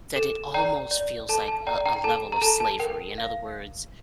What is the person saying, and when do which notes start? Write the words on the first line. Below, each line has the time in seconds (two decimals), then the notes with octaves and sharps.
that it almost feels like a a level of slavery. In other words,
0.16 A4
0.54 D5 G5 A#5
0.91 D5
1.29 A4 A5
1.48 A5
1.67 D5 G5 A#5
1.86 G5 A#5
2.04 A4 A5
2.32 A#5
2.42 A4 A5
2.60 A5
2.80 A#4 G5
3.18 F5